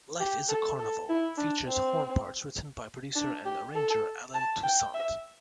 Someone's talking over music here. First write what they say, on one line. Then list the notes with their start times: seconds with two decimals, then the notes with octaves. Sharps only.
"Life Is a Carnival" features horn parts written by producer and arranger Allen Toussaint.
0.20 G4
0.49 A4
0.79 A4
1.09 E4
1.38 D4
1.67 C4
3.15 D4
3.46 G4
3.75 A4
4.34 A5
4.63 G5
4.94 E5